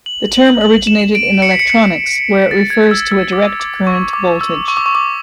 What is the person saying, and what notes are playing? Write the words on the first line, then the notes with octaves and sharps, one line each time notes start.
The term originated in electronics, where it refers to a direct current voltage.
F#7
F#7
F#7
E7
D7
C#7
B6
C#7
C#7
A6
G#6
E6
E6
D6
D6
C#6
D6
E6
C#6
D6
C#6
D6